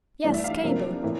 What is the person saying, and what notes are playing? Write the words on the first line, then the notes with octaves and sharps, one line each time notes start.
'Yes, cable.
G2 E3 A3 D4 D5
E5
F5
C3 F3 A#3 D4 A#4
A2 E3 A#3